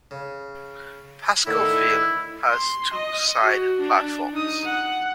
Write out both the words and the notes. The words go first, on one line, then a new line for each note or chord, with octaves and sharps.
Pascoe Vale has two side platforms.
C#3
A2 D3 D#3 E4
C6
D#5
F#4
D4
D#4 D#6
F#5